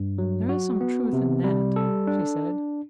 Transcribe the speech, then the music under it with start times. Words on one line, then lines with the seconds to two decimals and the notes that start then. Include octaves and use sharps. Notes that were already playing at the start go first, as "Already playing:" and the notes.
"There is some truth in that," she said.
Already playing: G2
0.18 F#3
0.49 F#4
0.81 B3
1.13 C3
1.44 G3
1.76 A4
2.07 D4